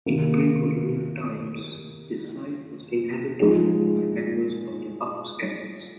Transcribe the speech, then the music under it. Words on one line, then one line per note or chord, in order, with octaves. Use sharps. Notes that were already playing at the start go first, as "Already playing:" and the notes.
In pre-Colonial times, the site was inhabited by members of the Upper Skagits.
C3 D#3 A#3
F3 G#3 D#4 G#4